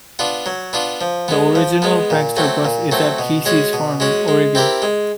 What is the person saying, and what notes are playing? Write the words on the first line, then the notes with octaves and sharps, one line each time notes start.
The original Prankster bus is at Kesey's farm in Oregon.
B3 D4 F4
F#3
B3 D4 F4
F3
G#3 B3
F3
G#3 B3
A#2
F#3 A3 C4
A#2
F#3 A3 C4
B2
G#3 C#4 F#4
B2
G#3 C#4 F#4
G#3
C4 E4 G4 A#4
G#3